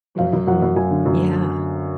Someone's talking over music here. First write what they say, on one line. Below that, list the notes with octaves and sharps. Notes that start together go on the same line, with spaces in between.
Mhm. Yeah.
F#2 F5
F#2
F#2 F#5
F#2
F#2 G#5
D3
F#2